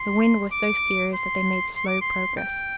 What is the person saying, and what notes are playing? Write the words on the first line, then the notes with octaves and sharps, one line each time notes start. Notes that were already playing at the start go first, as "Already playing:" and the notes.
The wind was so fierce that they made slow progress.
Already playing: C6
D6
C6
C6
D6
C6
G5